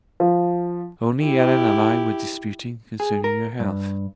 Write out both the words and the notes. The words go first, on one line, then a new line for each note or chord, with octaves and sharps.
'Only Ellen and I were disputing concerning your health.
F3
E4 G4
G#4
A#4
G2